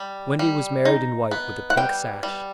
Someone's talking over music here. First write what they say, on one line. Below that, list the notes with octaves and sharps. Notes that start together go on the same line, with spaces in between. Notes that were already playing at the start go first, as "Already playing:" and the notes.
Wendy was married in white with a pink sash.
Already playing: G3
G3
D#4
B3
F#5
G3 G5
G3